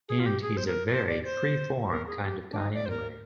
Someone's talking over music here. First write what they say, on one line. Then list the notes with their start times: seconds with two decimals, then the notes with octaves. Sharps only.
And he's a very free-form kind of guy anyway.
0.09 G#4
0.20 F4
0.26 G4
0.42 G#4
0.57 C5
0.66 A#4
0.92 C5
1.08 D5
1.24 C5
1.91 A#4
2.07 G#4
2.24 G4
2.52 D4
2.57 D#4
2.74 D5
2.86 C5
2.90 A#4